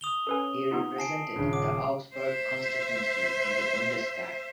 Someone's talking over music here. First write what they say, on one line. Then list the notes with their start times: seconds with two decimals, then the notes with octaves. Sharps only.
He represented the Augsburg constituency in the Bundestag.
0.01 D#6 F7 G7
0.27 C#4 A4 B4 G#5
0.71 B3 D#4 F4 F#5
0.98 G#5 A5 C7 D7
1.36 D#1 C#3 D4
1.53 F#5 D6
2.15 C5 E5